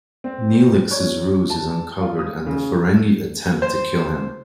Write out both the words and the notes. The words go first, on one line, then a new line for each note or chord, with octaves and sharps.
Neelix's ruse is uncovered and the Ferengi attempt to kill him.
C4
C#5
A5
F4
D#6
C#3
C5